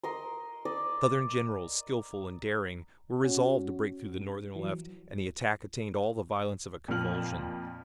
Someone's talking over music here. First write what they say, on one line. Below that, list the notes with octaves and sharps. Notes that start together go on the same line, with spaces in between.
The Southern generals, skillful and daring, were resolved to break through the Northern left, and the attack attained all the violence of a convulsion.
A#4 D#5 C6
D5 D#5
C#4 F#4
E3 F#3
F2 A#2 F3 F6 F#7